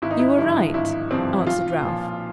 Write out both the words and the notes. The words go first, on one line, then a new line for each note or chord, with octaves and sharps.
'You were right,' answered Ralph.
G#1 E4
D#4
E4
G2 D3 F3 E4
G#1 E4
G2 D3 F3 C4
B1 F4
A#2 F3